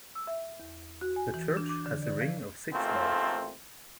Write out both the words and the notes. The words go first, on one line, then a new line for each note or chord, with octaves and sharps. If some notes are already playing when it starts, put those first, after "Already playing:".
The church has a ring of six bells.
E6
E5
E2
F#4
G#5
E3
D4
D6
D3
D5
F3
A1 G#2 A3 A#3 C4 F4